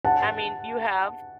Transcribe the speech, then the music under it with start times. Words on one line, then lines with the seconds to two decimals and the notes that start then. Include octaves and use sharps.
I mean, you have
0.05 F#5 A5